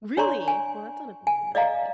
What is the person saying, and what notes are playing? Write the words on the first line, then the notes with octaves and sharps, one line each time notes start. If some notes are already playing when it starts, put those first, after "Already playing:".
Really? Well, that's not a bad thing to look like.
D4 C#5 D5 A#5 C6 C#6
G#5
G#5
D5 D#5 F5 A#5